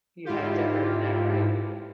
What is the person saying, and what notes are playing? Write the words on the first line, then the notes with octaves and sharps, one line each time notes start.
You have to earn that right.
G#2 E4 F4 G4